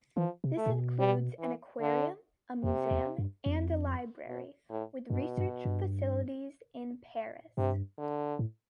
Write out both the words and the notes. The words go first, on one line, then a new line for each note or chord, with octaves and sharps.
This includes an aquarium, a museum, and a library, with research facilities in Paris.
E3 F3
C3
A3
A2
B2
G3
E3
D3
F2 C3
E2
G2
F2
B2
A2
G2 B2
G2
G2
G2 C3
D3
A2